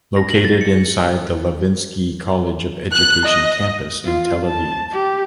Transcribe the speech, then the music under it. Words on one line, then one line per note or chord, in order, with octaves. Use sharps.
Located inside the Levinsky College of Education campus in Tel Aviv.
A#6
F#7
A6
C#7
F#6
D#5
F4
A5
G4